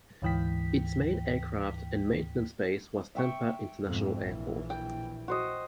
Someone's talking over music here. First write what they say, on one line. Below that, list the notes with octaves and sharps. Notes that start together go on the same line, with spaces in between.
Its main aircraft and maintenance base was Tampa International Airport.
D2 G#2 E3 G5 B6
E5 G5 C#6
F2 G#2 B2
A#1 E3
G5
F#4 C5 D#5